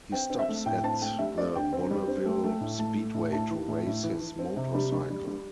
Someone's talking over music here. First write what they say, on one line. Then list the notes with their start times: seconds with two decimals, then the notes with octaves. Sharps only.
He stops at the Bonneville Speedway to race his motorcycle.
0.12 C4 G5
0.30 C4
0.39 E5
0.49 A3
0.66 A2 G5
0.83 C4 A5
1.01 A3 G5
1.19 G3 E5
1.37 C4 D5
1.55 D3 G5
1.73 C4
1.91 G3
2.07 C4
2.25 A3
2.44 A3
2.61 A2
2.79 A3 A5
2.97 A3
3.14 A2
3.32 A2 A5
3.50 E3
3.68 A2
3.86 A2
4.03 E3
4.21 E3
4.39 C4
4.56 C3
4.74 G3
4.92 G3
5.10 G3
5.27 G3